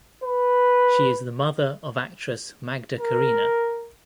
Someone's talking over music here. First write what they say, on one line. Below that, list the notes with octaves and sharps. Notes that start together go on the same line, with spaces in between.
She is the mother of actress Magda Karina.
B4
A#4